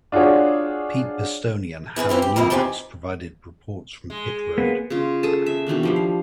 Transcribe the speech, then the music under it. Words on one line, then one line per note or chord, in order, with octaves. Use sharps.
Pete Pistone and Hannah Newhouse provided reports from pit road.
D4 F4 F#4 G#4 C#5
E3 G#4 A#4 B4
A#2 C4 E4 F4
G4
F2 F3 A#3 E4 D#5
E2 D#3 C4 G4 G5 G#5
G#3
A#3 B3
C#3 F4
G#4 A4 G#5 A5
E5
B2 D#3 E3 D4
F3 G3 E4
F5